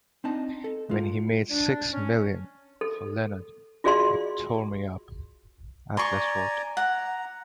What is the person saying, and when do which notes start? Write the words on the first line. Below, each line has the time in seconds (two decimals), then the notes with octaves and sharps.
"When he made six million for Leonard, it tore me up," Atlas wrote.
0.24 C4 D4 D#4 A5
0.64 A4
0.89 G#3 F4
1.51 D4
1.92 C#4
2.81 A4
3.84 F4 F#4 G#4 D5 F5 C6
5.97 D5 G#5 A#5 C6 C#6
6.77 F#5 A#5